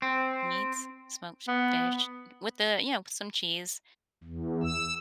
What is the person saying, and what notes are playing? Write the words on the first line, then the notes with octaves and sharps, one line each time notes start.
Meats, smoked fish with the you know, some cheese
C4
B3
E2
E6